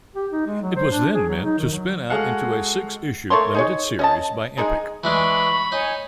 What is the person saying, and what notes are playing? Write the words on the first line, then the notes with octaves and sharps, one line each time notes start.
It was then meant to spin out into a six-issue limited series by Epic.
G4
D#4
G#3
F#3
C5
D4
G#4
F#3
D#4
D#3
F#3
G#3 F#4 G#4 A4 F5 F#5
A3 A#3 C#5 C6
D#4 G#4 C#5
C#4 D#5 A5
G#3 D#4 G#4
E3 G#3 D4 B5 C#6
D#4 C#5 G#5